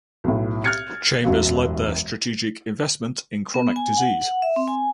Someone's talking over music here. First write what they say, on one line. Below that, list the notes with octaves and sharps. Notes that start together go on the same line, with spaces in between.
Chambers led their "Strategic Investment in Chronic Disease".
B1 A2
F6 F#6 G#6 A6 C#7
E1 A1 F#2 F#3 F5
B3
G#5
F#5
F#5
E5
C4
G#5